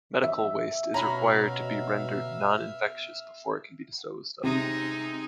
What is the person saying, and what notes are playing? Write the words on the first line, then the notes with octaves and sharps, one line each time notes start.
Medical waste is required to be rendered non-infectious before it can be disposed of.
E5
B2 C#4 F#4 E5 F5 A#5 B5
C3 G#3 D#4